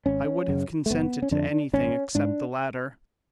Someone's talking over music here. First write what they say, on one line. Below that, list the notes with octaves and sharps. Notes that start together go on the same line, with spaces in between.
I would have consented to anything except the latter.
G#1 C#4
F#2 C#3
A3
F#1 B3
C#4
F2 D3 D4
G#1 C#4
G#2 D4